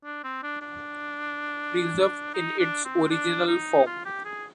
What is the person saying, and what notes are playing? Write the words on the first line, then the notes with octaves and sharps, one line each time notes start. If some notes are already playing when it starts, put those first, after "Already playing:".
Preserved in its original form.
D4
C4
D4
D4
D#4
D4
C4
D4
D#4
F4
G4
G#4